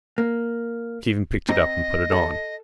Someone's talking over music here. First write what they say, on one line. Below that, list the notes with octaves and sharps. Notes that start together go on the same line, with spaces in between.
Stephen picked it up and put it on.
A#3
C4 D#5 A#5
A4